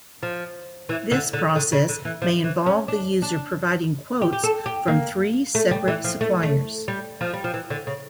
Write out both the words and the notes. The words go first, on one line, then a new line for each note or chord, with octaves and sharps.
This process may involve the user providing quotes from three separate suppliers.
F3
E3
D3
D3
D3
C#3
D3
E3
F3
E3
C#4
D4
D4
G4
G4
A4
G4
A#3
A3
G3
E3
F3
A3
A3
G3
F3
G3
F3
E3
D3
C#3